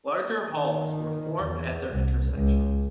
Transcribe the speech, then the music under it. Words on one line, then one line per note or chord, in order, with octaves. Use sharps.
Larger halls were formed at their intersections.
D#3
E2
C2
C#2